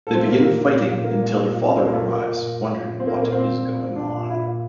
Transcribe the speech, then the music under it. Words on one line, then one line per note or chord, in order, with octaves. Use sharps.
They begin fighting until their father arrives wondering what is going on.
A#2 A4
C4
A#2 A3
A#3
A#2
A#2
A#2
A#2
A#2 A#3
A#2
A#2
A#2
A#2 A#3
C4
A#2 A#3
A3
A#2 A#3
A#2
A#2
A#2
A#2
A#2
A#2 C4
A#3
A#2 C4
A#3
A#2 C4
A#2
A#2
A#2
A#2 D4
A#2
A#2 E4
A#2